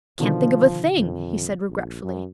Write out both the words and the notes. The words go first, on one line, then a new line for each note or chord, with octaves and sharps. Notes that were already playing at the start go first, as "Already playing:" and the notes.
"I can't think of a thing," he said regretfully.
B2 D3 D#3 F3
F2
A#1
F#2